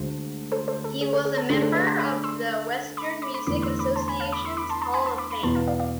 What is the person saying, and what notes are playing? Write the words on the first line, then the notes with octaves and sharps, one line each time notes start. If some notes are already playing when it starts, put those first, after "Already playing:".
He was a member of the Western Music Association's Hall of Fame.
Already playing: D2 D3 G#3 C5
A4 C5
A4 C5
A4
G#4
A4
G#4
A4
D3 A3 D4 G#4 A4 C5
A4 C5
B4 D5
A5 C6
B5 D6
C6 E6
B5 D6
B5 D6
B5 D6
E2 D3 A3 B5 D6
C6 E6
B5 D6
A5 C6
G#5 B5
F5 A5
B5 D6
C6 E6
B5 D6
A5 C6
A5 C6
G#5 B5
A5 C6
B5 D6
B5 D6
E2 B2 B3 A5 C6
F5 A5
D5 F5
D5 F5